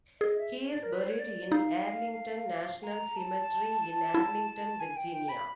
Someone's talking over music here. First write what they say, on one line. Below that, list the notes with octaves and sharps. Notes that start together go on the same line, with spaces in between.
He is buried in Arlington National Cemetery in Arlington, Virginia.
G#4 D#5
E5
D5
A#4
B4
C5
C#5
D5
D#4 F5
A#5
A5
E4
G#5
G5
G5
B5